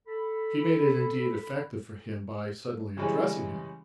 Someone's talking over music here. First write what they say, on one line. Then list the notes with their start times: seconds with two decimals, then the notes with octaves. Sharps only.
She made it indeed effective for him by suddenly addressing him.
0.07 A4 B5
2.97 C#3 E3 G3 G#3 C#4